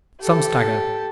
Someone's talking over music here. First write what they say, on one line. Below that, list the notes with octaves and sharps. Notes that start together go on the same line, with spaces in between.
Some stagger.
G4 A4